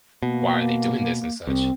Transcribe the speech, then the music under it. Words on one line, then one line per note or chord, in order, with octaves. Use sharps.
"Why are they doing this," and such.
B2 A#3
C2 C4